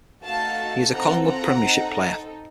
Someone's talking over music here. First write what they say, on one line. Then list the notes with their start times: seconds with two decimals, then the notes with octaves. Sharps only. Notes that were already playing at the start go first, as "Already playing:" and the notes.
He is a Collingwood Premiership player.
0.25 A3 D#4 F#4 A4 F5 A5
0.93 C4 F4 A4 F#5 A#5
1.27 F#5 A#5
1.62 C4 D#4 A4